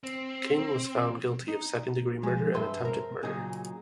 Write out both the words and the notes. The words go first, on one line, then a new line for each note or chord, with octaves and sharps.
King was found guilty of second-degree murder and attempted murder.
C4
D#4
F3 G#3
G2 B4 E5 C6
A#4 C5
A#2 C#3 F#3 D#4 G#4